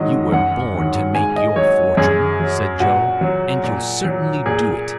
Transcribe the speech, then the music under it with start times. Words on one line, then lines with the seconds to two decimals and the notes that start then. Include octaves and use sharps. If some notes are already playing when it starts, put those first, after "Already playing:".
"You were born to make your fortune," said Joe, "and you'll certainly do it."
Already playing: G#2 D#3 F#3 D#5
0.32 F#2 F#5
0.74 D#3 F#3
1.15 G#2 G#5
1.36 D#5
1.56 F#3 C#5
1.97 F#2 G#4
2.40 F#3
2.80 A#2 F#4
3.21 F#3
3.63 A#2
4.05 F#3
4.46 A#2 G#4